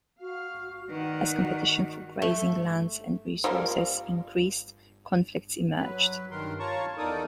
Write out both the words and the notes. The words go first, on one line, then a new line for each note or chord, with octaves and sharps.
As competition for grazing lands and resources increased, conflicts emerged.
F#4 F5
D#3 A3 B4 D5 F#5
F#4
A3
F3 G3 A#3
F#3 B4
G2 D#3 A#4 C6
F4 C#5 A5 A#5 C#6
E2 D#4 A4 A#4 D5 D#6